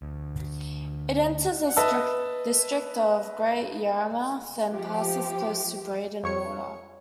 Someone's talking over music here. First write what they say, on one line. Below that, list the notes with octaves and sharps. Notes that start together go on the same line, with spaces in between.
It enters the district of Great Yarmouth, then passes close to Breydon Water.
D2
B4 D#5 E5 A5 E6
F3 G4
F2 C#5 C#7